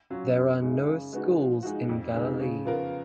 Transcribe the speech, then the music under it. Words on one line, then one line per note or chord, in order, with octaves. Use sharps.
There are no schools in Galilee.
F#3 C#4 F4
F#2
C#3 G#3 D#4
C#3
G#3 B3 D#4 F#4
F3
G#3 D#4 F#4
F2
C#3 G#3 B3 D#4
C#3
F3 B3 F4 A#4